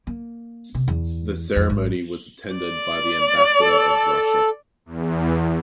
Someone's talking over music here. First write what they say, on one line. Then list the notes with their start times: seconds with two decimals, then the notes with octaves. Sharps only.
The ceremony was attended by the Ambassador of Russia.
0.07 A#3
0.74 C3
0.88 E2
1.56 F2
1.70 G#1
2.56 D5
3.61 A4
4.86 E2